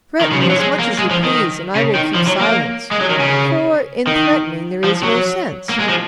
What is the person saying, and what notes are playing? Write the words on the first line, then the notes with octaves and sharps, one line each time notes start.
Threaten as much as you please, and I will keep silence; for in threatening there is no sense.
D#3
C#3
F3
F#3
G#3
A#3
G#3
F3
D#3
C#3
D#3
F3
F#3
A#3
G#3
F#3
D#3
C#3
D#3
F3
F#3
A#3
G#3
F3